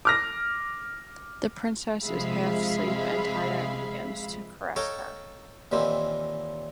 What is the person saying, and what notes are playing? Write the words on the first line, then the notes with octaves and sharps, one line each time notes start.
The princess is half sleep and Tirant begins to caress her.
D6 F6 A#6
C3 F3 G#3 E5 F5 B5
A4 C#5 D#5 F5 G5 A#5
D#2 A#2 D#3 E3 C4